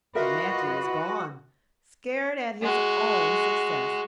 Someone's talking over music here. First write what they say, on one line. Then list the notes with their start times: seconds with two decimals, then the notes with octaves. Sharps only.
But Matthew was gone, scared at his own success.
0.15 F4 F#4 A#4 B4 D#5 E5
2.62 G#3 F#4